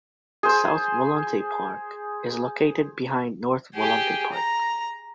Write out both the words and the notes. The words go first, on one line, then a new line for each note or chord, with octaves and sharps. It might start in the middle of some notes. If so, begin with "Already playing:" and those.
South Volonte Park is located behind North Volonte Park.
G#4 C5
G4 G#4
A#5